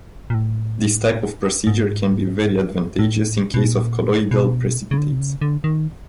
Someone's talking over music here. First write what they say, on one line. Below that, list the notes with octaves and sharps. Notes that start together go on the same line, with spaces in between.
This type of procedure can be very advantageous in case of colloidal precipitates.
A#2
A2
G#2
A2
B2
A#2
B2
C#3
D3
C3
C#3
D3
D#3